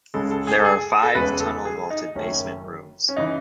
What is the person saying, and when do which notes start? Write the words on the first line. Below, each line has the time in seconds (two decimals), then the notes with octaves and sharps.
There are five tunnel-vaulted basement rooms.
0.14 C#2 C#3 G#3 A4
0.31 A4
0.47 G#4
0.59 A4
0.65 G#4
1.03 A4
1.15 E1 E2 C#3 G#3 B4
1.40 A4
1.65 G#4
1.90 D#4
2.15 F#1 F#2 D#3 A3 C#4
3.09 C#4
3.16 C#3 E3 D#4